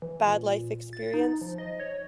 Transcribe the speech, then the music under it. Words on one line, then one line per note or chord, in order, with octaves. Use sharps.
bad life experience.
E3
A#2
A6
D#4
F3
D#5
C#5